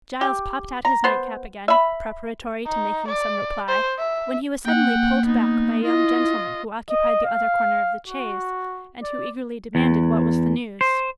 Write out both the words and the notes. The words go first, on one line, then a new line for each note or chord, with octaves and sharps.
Giles popped out his nightcap again, preparatory to making some reply, when he was suddenly pulled back by a young gentleman who occupied the other corner of the chaise, and who eagerly demanded what was the news.
G4
A#5
B3 C5
E5 B5
D#4
D5
C5
E5
A#3 F#5 G5
B3 D#4
E4 F4 D#5
D#5
F5
F#4
D5
E2
C5